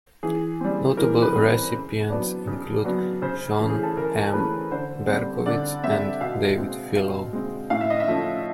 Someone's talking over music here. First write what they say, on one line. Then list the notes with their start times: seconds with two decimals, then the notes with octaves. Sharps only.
Notable recipients include Sean M. Berkowitz and David Filo.
0.23 E3 G#4
0.61 G3 C4
0.97 E3 A#4
1.22 B4
1.35 G3 C4
1.47 C5
1.72 C#3
2.10 F#3 B3 D4
2.47 C#3
2.85 F#3 B3 D4
3.22 C#3 C5
3.59 E3 A3 C#4
3.70 G#4
3.83 A4
3.97 C#3 A#4
4.33 E3 A3 C#4 B4
4.71 D3 C5
5.08 G3 C4
5.46 D3 D5
5.83 G3 C4 E5
6.21 B2 F5
6.58 G#3 C4
6.96 B2 F5
7.33 G#3 C4
7.70 A2 F5
7.81 E5
7.90 D#5
8.00 E5
8.08 F3 A3 C#4